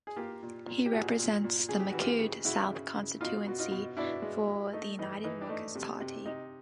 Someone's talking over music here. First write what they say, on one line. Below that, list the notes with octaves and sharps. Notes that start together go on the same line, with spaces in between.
He represents the Micoud South constituency for the United Workers' Party.
G#4
A#3 F4 G4
A#2
A#2
G4
A#2 F#4 G#4
A#2
A#2
C#3 G#4
G4
E3 F#4
F4 G4
C#3
C#3 E4 F#4
C#3
C#3
B2 D#4 F4
B2 F#4
D#4 F4
B2
B2 D4 E4
G#3
G#3
A3 D#4
E3 D#4
E3 D#4
D4
A3 D#4
C3
C3
C3 D#4